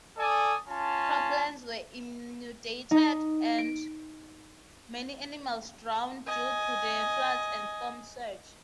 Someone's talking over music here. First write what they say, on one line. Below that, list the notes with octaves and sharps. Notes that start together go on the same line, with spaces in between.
Croplands were inundated and many animals drowned due to the floods and storm surge.
A4 D5 G#5 D#6
C#4 F4 A5
D#4
D7
D#5 G#5